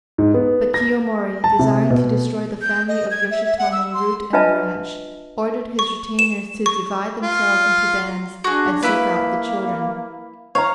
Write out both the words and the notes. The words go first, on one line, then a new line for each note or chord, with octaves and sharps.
But Kiyomori, desiring to destroy the family of Yoshitomo root and branch, ordered his retainers to divide themselves into bands, and seek out the children.
G#2
B3
A#6
A5
C3
B2
G6
D#5
G#6
E5
E5
F#5
E6
C6
D4 F4 B4 D#5 E5 A5
C#6
E7
C#6
F4
D4 F#4 G#4
A#3 E4 B4
C#5 F5 A#5